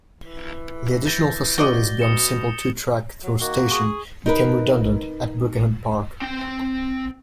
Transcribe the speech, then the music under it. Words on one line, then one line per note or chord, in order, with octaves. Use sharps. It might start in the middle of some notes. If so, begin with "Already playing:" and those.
The additional facilities beyond a simple two-track through station became redundant at Birkenhead Park.
E3
G6 A6 A#6
F#4 D5 D#5 G7
B2 D#6 C#7 E7
F#3
D#3 A#3 F#4
G#4 C#6
D#4 A#4 B4
C4 G5